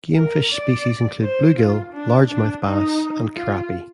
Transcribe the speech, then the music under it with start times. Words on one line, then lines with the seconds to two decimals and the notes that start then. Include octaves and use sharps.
Game fish species include bluegill, largemouth bass, and crappie.
0.15 A#4
0.51 D5
1.22 C5
1.57 F4
1.93 D4
2.29 D4
2.64 D#4
3.36 F4